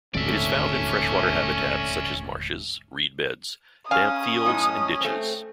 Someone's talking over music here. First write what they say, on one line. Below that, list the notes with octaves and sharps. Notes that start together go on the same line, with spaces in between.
It is found in freshwater habitats such as marshes, reedbeds, damp fields and ditches.
D#1 G#1 D2 A3 C#4 D5 E5
C#4 F5 G#5 D#6
F#2 A2 D#4
A3 C4